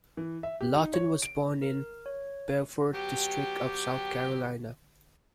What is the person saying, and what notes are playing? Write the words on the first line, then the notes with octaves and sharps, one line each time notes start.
Lawton was born in the Beaufort District of South Carolina.
E3
E5
G4
D#4
C#5
D7
A#4
C#5
F#3 B3 G4